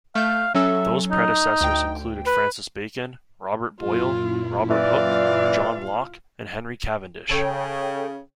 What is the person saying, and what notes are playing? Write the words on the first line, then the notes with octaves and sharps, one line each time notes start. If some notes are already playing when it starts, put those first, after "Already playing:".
Those predecessors included Francis Bacon, Robert Boyle, Robert Hooke, John Locke, and Henry Cavendish.
A3 F5 G6
F#3 C#4 A4 E5
D#4
D2 G5
B4
F#2 A#2 E4 F4
E3 F4 D5 F5
C#3 A4 C#5 G5